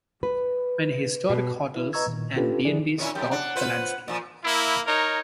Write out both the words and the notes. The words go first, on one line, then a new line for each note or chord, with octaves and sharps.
Many historic hotels and B and Bs dot the landscape.
B4
B2
E4 B4
B4 D#5 A#5 C#6 E6 G#6
A#2 D#3
C#4 D4 F4 G4 A4 B4
D#3 F3 D4 E4 G#4 D5
A#2 C#4 E4
F#2 G4
D4 F#5
F4 B4 C5
A#2 F3
A#3 E4
D#4 A#4 C#5